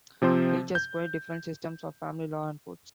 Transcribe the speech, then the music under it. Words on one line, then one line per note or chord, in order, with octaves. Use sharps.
Each has quite different systems of family law and courts.
C3 F3 C4 C5
G6